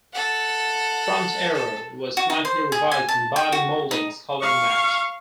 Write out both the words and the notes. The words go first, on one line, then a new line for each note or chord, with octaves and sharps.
Front aero was slightly revised and body mouldings colour matched.
A4 F#5
A4
F#4
D#4
C5
G#4
G#5
A5
G5
F#4
D#4
F5 C#6